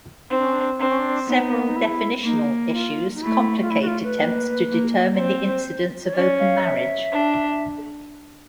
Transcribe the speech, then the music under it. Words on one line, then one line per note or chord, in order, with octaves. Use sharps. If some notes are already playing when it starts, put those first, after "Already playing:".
Several definitional issues complicate attempts to determine the incidence of open marriage.
C4 D#4
D4
C#4
D4
C4 D4
C#4
D4
B3 D#4
D#4
E4
A#3 D#4
E4
F4
D#4
A3 E4
F4
A3 E4
F#4
F4
B4
A#3
A#3
C4 C5
C#5
C#4 D5
F5
D#5
E5
D4